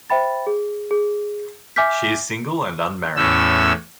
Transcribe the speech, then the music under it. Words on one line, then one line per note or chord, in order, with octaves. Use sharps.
She is single and unmarried.
C5 E5 G5 B5 A6
G#4
G#4
E5 G#5 D6 F6 G6 B6
E2 A2 C#4 E6